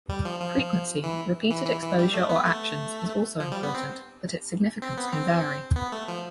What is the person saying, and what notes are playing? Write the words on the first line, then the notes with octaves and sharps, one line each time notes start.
Frequency, repeated exposure or actions, is also important, but its significance can vary.
G3
F3
F3
E3
E3
E3
E3
G3
A3
B3
A3
F3
G3
B3
C4
C4
B3
C4
B3
A3
F3